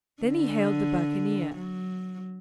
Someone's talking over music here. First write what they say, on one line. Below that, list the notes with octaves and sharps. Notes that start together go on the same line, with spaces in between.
Then he hailed the buccaneer.
D3
F#3